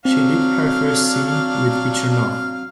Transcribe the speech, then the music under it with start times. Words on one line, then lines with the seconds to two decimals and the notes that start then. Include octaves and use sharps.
She did her first scene with Peter North.
0.05 F#3 C4 D4 F5